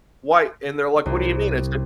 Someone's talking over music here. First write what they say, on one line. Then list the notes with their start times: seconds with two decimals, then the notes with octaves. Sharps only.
Why, and they're like, "What do you mean?" I said,
1.06 C2